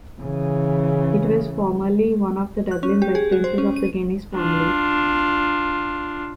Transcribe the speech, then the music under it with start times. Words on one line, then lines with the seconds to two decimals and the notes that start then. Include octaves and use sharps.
It was formerly one of the Dublin residences of the Guinness family.
0.21 C#3 E3
2.71 F#6
2.83 C#4
3.02 G4
3.15 G#4
3.32 F#4
3.44 C5
3.58 C#4
3.76 D#7
4.35 D4 F4